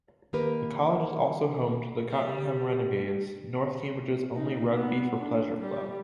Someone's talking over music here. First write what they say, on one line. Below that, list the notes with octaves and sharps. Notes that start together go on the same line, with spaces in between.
The college is also home to the Cottenham Renegades, north Cambridge's only rugby-for-pleasure club.
D#3 A#3 G4 A#4 B4
G3
D#4
B3
D4
G3